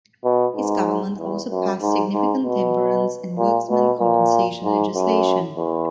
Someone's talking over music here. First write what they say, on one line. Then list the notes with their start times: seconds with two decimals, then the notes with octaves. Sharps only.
His government also passed significant temperance and workmen's compensation legislation.
0.24 B2
0.56 G#2
1.18 E2
1.50 F#2
1.81 G#2
2.12 G#2
2.44 B2
3.38 A#2
3.69 B2
4.00 A#2
4.64 G#2
4.95 F#2
5.57 E2